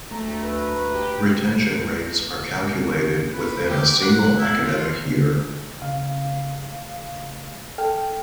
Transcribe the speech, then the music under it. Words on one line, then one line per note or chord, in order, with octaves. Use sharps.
Retention rates are calculated within a single academic year.
D2 A3 A#5
B4
G4
B4
G4
D6
F#5
E4
F4
C#3 F5
A4 G5 F6